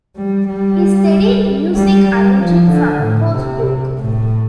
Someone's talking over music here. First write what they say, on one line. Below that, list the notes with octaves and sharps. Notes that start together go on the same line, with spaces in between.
He studied music arranging from a course book.
G3
G3
G3
G3
F3
D3
A2
C3
A2